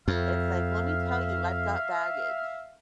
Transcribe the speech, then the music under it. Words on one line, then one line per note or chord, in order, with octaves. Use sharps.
it's like, "Let me tell you, I've got baggage,"
F2 E5 F5